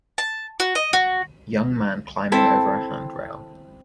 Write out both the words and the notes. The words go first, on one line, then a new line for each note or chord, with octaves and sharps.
Young man climbing over a handrail.
A5
F#4
D#5
F#4
C4 E4 A4